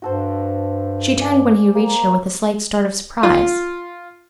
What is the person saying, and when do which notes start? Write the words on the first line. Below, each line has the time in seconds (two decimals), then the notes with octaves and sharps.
She turned when he reached her with a slight start of surprise.
0.02 G2 F#4 A4 C5
1.19 D5 G#5 D6
1.75 A#3
3.23 F4